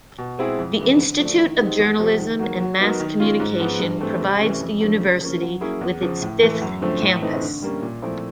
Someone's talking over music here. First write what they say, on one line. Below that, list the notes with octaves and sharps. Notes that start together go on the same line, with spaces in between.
The Institute of Journalism and Mass Communication provides the university with its fifth campus.
B2
G#3 C4 E4 G#4
F2
C#3 E3 G#3
D3
F3 A3 D4
D#3
G#3 C4 D#4 G4
E2
C3 F3
D#3
F#3 A#3
F#3
B3 D#4 F#4 A#4
D#3
G#3 C#4 F4
G#2
F3 G#3 B3
G2
E3 A3 C4
C3
E3 A3 C#4
F2
D3 F3 A3
C#3
F3 A#3 C#4
F#3
A#3 C#4 E4 G#4
E2
C#3 F3
A2
E3 A3
F#2
D3 F3 A3 C4
A2
E3 A3 C4 D#4
D3
G3 A#3 C#4
A#2
F3 A3 C4 E4